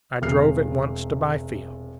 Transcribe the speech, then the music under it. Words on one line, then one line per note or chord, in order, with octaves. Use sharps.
I drove at once to Byfield.
E1 C3 F6 C7